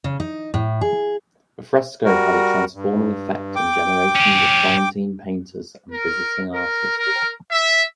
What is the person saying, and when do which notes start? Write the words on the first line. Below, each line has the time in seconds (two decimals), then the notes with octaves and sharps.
The fresco had a transforming effect on generations of Florentine painters and visiting artists.
0.04 C#3
0.20 D#4
0.54 A2
0.81 G#4
2.05 G3 F#4 A#4
2.74 G2
3.56 G5 D6
4.16 C#4 G4
5.91 A#4
6.53 A#4
6.97 A#4
7.49 E5